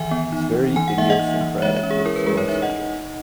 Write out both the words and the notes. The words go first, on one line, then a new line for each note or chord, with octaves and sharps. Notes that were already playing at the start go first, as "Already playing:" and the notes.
It's very idiosyncratic, with small subjects.
Already playing: D#3 E3 E5 G#5
B3
D#4
E3
E3 G#5
F#5
A#3 E5
D#5 F#5
D#4
E3
G#3 C#5 E5
C#5 E5
C#4
G#4
E4 A#4
G#4 B4
G#3 G#4 B4
A#4 C#5
D#4 C#5 E5
D#5 F#5
D#4